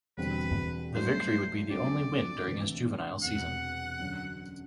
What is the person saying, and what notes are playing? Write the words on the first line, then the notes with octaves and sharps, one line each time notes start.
The victory would be the only win during his juvenile season.
E1 E2 D3 G3 C4 B4
G2 F#3 A3 C5
D2 D3 F#3 C4 D5
D2 C3 E3
E1 E2 C3 F#5
F#2 D3 F#3